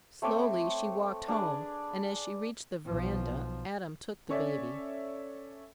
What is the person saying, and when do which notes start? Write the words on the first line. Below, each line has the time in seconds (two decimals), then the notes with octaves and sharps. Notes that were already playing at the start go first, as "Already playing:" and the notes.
Slowly she walked home and as she reached the veranda, Adam took the baby.
0.22 A3 C4 C#5 D6
1.28 D4 G#4 B4 D5
2.87 B1 F3
4.29 C#4 A4 C#5 D5 E5